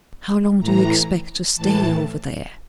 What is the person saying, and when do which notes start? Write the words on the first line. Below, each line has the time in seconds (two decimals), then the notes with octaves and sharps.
"How long do you expect to stay over there?"
0.59 A2 E3 A#5
1.55 A2 E3 A5